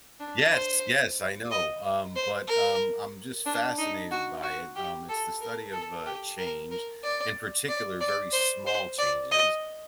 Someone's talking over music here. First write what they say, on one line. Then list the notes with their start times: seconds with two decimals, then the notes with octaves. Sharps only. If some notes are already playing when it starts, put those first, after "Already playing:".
Yes, yes, I know, um, but, um, I'm just fascinated by it, um, it's the study of, uh, change, in particular, very small changes,
0.20 D4
0.53 C5
1.51 D#5
2.16 C5
2.48 A#4
3.46 D4
3.78 D#4
4.11 F#4
4.43 F#4
4.76 G4
5.08 A4
5.41 A#4
5.73 A4
6.06 G4
6.38 A#4
6.71 A#4
7.04 D5
7.69 D5
8.01 D5
8.33 C5
8.66 C5
8.99 D5
9.31 D#5